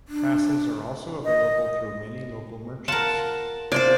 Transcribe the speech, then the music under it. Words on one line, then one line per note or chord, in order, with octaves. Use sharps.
Passes are also available through many local merchants.
D4
D#5
F4 A#4 F#5 A5
C3 F4 C5 D5